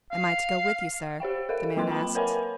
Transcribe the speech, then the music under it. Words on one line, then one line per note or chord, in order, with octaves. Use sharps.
"Am I to go with you, sir?" the man asked.
F5
G4 C5 F5 G5
A4 A#4 F5
F#3 A#3 F4 B4 C6
G5 A5 B5
A#4 B4 C#5 F#5 G#5 B5